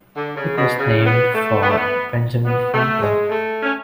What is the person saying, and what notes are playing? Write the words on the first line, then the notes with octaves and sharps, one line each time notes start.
It was named for Benjamin Franklin.
D3
C#3
B2
C#3
B3
A3
B3
A3
B3
B3
A3
G#3
A3
C#4